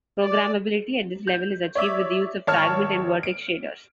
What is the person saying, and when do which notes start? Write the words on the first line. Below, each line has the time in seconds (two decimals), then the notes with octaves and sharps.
Programmability at this level is achieved with the use of fragment and vertex shaders.
0.24 D5
1.27 G6
1.75 C#5 D5 E5 D6
2.47 G#1 C#5 A5 C#6 F6
3.23 D7